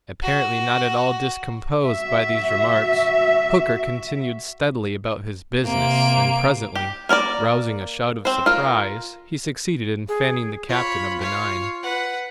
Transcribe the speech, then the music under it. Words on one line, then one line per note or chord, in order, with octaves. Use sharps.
Apparently not at all discomposed by these remarks, Hooker continued steadily about his business, and presently, rousing a shout of surprise, he succeeded in fanning the captain of the nine.
F#4
F#4 E5
C3 A#3 D7
G4
A#3 A#4 C#5 D5
C4 C5
F4 A#4
G#4
F4 C#5 B5
C#5 F5
B4 F#5